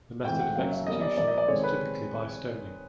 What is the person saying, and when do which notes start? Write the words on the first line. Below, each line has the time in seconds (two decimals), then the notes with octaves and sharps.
The method of execution was typically by stoning.
0.25 A2 E3 G#3 C4 G5
0.40 F#5
0.56 C#3 F#3 A#3 C#4 F5
0.71 E5
0.87 B2 G3 A#3 C#4 D#5
1.01 D5
1.17 A#2 F3 A#3 D5
1.28 D#5
1.38 D5
1.48 C3 D#3 G#3 C4 C#5
1.64 B4